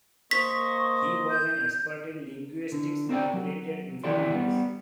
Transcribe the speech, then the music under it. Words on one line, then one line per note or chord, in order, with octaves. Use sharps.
He was an expert in linguistics-related informatics.
A#3 C5 D#5 C#6 B6
G6
D3
C4 A#4 C5 D5 G5
F#3
D#3 E3 E4 G4 D5 C6
G3 B3